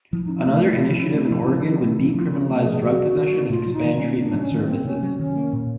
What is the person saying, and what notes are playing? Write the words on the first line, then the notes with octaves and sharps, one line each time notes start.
Another initiative in Oregon would decriminalize drug possession and expand treatment services.
F3 E4
C#4 D#4
E4
A3
F3
F3
C#4
A3
F3
F3
C#4
A3
F3
E4
F3 F4
C#4
A3
G#4
F3
C3 F#4
F#3
D#3
A#3
E4
C3 F4
F#3
D#4
D#3
C#4
A#3
C3 D4
F#3
C#4
D#3
C4
A#3
C3 C#4
F#3
D#3 C#4
A#3
A#2